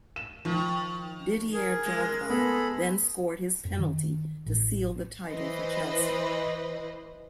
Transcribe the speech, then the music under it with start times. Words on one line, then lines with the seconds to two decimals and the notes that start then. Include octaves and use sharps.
Didier Drogba then scored his penalty to seal the title for Chelsea.
0.16 E7
0.45 D#3 F3
1.53 G#4 A#4
1.86 G#3
2.30 B3 G#4 A4 B5
3.65 F#2
3.79 D#3
4.46 A1
5.30 E3 B4 C5 D#5